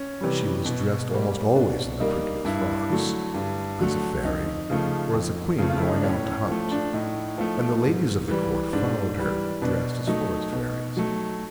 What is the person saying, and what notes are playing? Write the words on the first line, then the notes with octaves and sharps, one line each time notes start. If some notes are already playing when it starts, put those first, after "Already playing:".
She was dressed almost always in the prettiest frocks, as a fairy, or as a queen going out to hunt, and the ladies of the Court followed her dressed as forest fairies.
Already playing: C#4
C3 E3 G3
B2
G3 A#3
B2 D4
G3 A#3 D#4
G2 E4
D3 F#3 A3
G2
D3 F#3 A3
F2 D#4
C#3 F3 A3
F2
C#3 F3 A3
F4
E4
D#4
D4
A2 C#4
C#4
F3 A3
D4
A2 D#4
F3 A3
G#2
E3 G3
G#2 D4
E3 G3
B2 D4
F#3 A3 D#4
B2
F#3 A3